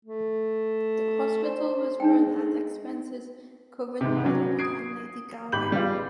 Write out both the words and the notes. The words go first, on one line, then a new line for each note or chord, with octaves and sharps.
The hospital was run and expenses covered by Lord and Lady Galway.
A3
C5 D5
G#3 D4 D#4 G5
G#2 C3
F#3 C#4 D4
D#6 G#6 C7 D7
G#1 G4 B5 G6 F#7
G3 G#3 B3 F4